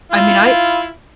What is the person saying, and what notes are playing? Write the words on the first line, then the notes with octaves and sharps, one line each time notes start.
I mean, I
E4 F4